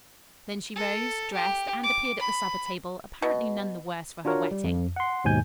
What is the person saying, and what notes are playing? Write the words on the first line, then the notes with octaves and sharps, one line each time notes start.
Then she rose, dressed and appeared at the supper table apparently none the worse for her wetting.
A4
G4
D6
B5
B2
D4 F4 F#4 A#4 C#5
G3
F2
F#5 C6
D#2 G#2 B2 G#5 G6